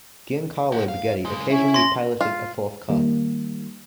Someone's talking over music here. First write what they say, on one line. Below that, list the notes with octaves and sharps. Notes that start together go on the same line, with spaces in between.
Giancarlo Baghetti occasionally piloted a fourth car.
G4 F#5
F5
C#3 G#3
C#4 E4
C6 A#6
F4
D#3 G3 A#3